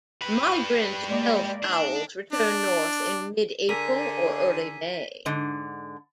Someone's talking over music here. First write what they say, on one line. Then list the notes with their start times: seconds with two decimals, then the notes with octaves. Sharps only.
Migrant elf owls return north in mid-April or early May.
0.22 G3 B4
1.05 G#3 A#3 D5
1.63 D4 D#4
2.33 D4
3.69 D3 G#4 A#4 B6 D#7
5.26 G#2 D3